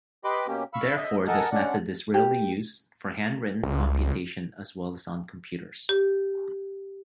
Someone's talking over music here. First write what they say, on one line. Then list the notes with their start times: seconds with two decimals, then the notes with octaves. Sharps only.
Therefore, this method is rarely used, for hand-written computation as well on computers.
0.24 G4 B4 D#5 B5 C6 D6
0.47 B2 A#3 C#4 G4
0.73 F5 B5 C#6 E6
0.96 D#5 E5
1.28 A4 A#4 D#5 F#5 G#5 A5
1.52 G#3 C#4 D4 D5 F#5
2.14 G4
3.63 C#2
5.89 G4